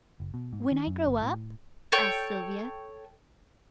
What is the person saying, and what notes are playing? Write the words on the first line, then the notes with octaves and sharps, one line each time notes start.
"When I grow up?" asked Sylvia.
F#1
B2
G#2
D#3
F#2
G1
A2
A4 C#5 G5